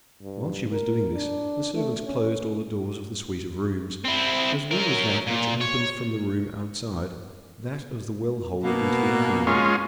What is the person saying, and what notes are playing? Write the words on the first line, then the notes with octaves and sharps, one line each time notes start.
While she was doing this, the servants closed all the doors of the suite of rooms, as well as that which opened from the room outside--that of the well-hole into the avenue.
G2
A#4
D4
A3
C#4
C4 E4
F#3 A#4
A#2
C#5
B2 A#3
G#3 C#4 F4